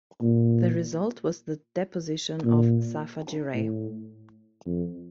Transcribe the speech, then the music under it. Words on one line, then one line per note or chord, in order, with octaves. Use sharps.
The result was the deposition of Safa Giray.
A#2
A#2
A2
F2